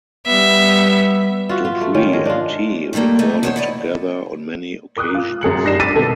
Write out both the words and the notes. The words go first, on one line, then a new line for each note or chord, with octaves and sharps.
Dupree and Tee recorded together on many occasions.
G3 B3 E5
F4 F#4 E5
F4
A3
D#3 C#4 F4
G#3
D4 F4
D#3 E3 G3 A3 A#3
A3 A#3 D#4 G#4
E2 C5 C#5
E4 D5 D#5
A#4 D6 D#6 F#6
F4
F#2 G#4 C#7 F#7
G3 D4 D#4 A#6 C7 E7
D6 E6 A6 B6 D#7
G#1 B2 A4